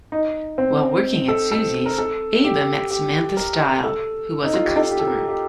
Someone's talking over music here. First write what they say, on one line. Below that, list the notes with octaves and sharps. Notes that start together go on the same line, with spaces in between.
While working at Suzy's, Ava met Samantha Style, who was a customer.
D#4
C4
A4
A4
A#4
A4
G4
G4
A#4
A4
D#4
F4
G4
A4
G4
A4
A#4
G4